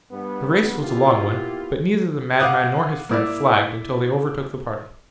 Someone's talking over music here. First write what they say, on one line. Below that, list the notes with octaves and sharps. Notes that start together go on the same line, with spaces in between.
The race was a long one, but neither the madman nor his friend flagged until they overtook the party.
G2 B3
A#3 B3 E4 F4 G4
F5 F#5 D6 D#6 F#6
A#3 E4 D5